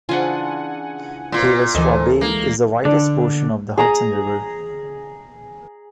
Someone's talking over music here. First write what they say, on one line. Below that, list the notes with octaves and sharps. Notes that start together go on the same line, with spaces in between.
Haverstraw Bay is the widest portion of the Hudson River.
C#3 E3 D4 F4 F#5 G#5
A#2 F4 C6
D2 E3 A4 A#4 C5 D#5 G#5
G#3 A#3
D3 D4
G#4 A#5 D#6